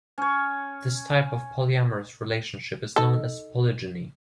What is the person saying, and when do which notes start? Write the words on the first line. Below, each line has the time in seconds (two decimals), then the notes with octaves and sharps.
This type of polyamorous relationship is known as polygyny.
0.18 C#4 C#5
2.96 D#4 A4